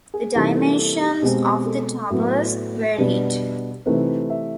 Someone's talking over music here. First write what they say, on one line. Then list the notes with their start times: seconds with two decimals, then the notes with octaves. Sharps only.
The dimensions of the towers varied.
0.14 G#4
0.35 C3 E3 G3 A#3 D#4 A4
0.57 A4
0.79 A4
1.00 G4
1.22 B2 G#3 C4 G4
1.66 A4
2.10 A2 F#3 B3
2.98 B2 G3 B3 D4
3.86 C3 E3 A3 C4 D#4 B4
4.30 E5